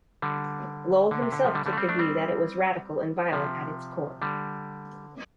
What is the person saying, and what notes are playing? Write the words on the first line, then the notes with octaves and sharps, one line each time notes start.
Lowell himself took the view that it was radical and violent at its core.
D3 G3
D3
C3
D3
C3 F3
D3 G3
D3 G3
A3
G3 C4
A3 D4
G3 C4
C3 F3
D3 G3